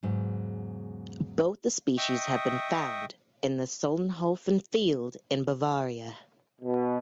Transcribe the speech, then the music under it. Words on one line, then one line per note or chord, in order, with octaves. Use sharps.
Both the species have been found in the Solnhofen field in Bavaria.
E2 G#2 C#3 F#3
D#5 E5 G5 C#6 D#6
B2